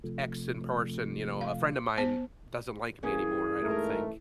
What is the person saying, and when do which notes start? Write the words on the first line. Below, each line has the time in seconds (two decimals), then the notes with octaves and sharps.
"X and person," you know, "A friend of mine doesn't like me anymore, I don't think."
0.04 C3 F3 A3
1.41 F5
1.98 B3 C5 A5
3.03 E3 A#3 C#4 G#4
3.63 G#2 A3 A#4